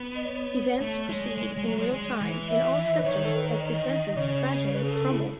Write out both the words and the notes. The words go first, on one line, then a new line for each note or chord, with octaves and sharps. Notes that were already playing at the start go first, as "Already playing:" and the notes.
Events proceed in real time in all sectors as defenses gradually crumble.
Already playing: B3
D#5
C#5
A3
G#3
G#3
G#3
F#3
G#3
G#3
E3
E5
B4
D#3 C#5
A4
B4
C#5
D#5
C#3 C#5
C#5
B4
G#4
A4
E4